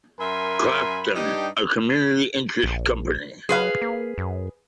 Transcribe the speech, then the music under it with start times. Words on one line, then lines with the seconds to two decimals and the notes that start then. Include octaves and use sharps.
Clacton, a community interest company.
0.19 F#2 A#4 E5 G#5 B5 C6
1.15 G2 D4 D#4 G4 D#5 G5
2.64 A#1
3.49 F#3 G#4 B4 F5
3.82 A#3
4.18 F#2